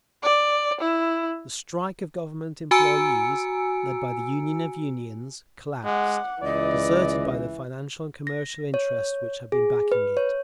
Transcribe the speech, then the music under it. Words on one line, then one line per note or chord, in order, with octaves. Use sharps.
The strike of Government Employees, led by the Union of Unions, collapsed, deserted by the financial and commercial interests which had been backing it.
D5
E4
F#4 G#5 A#5 E6 C#7 D7
G#3 F#5 D6
C#2 E3 D5 D#5
A#6
C#5
G#4
B4
C#5